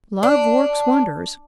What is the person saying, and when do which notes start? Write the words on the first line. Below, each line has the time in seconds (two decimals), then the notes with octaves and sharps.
Love works wonders.
0.23 D4